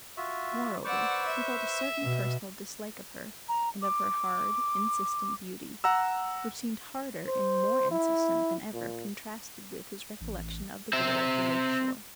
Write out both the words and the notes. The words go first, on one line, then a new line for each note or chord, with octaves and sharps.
Moreover, he felt a certain personal dislike of her and of her hard, insistent beauty, which seemed harder and more insistent than ever contrasted with his recollection of the girl of the lake shore.
F4 F#4 E5
B4 C5 D5 F#5 C#6 E6
E5
B2
A#5
D6
F#5 A#5 E6
C5
E4
A#2
A1
C4 E5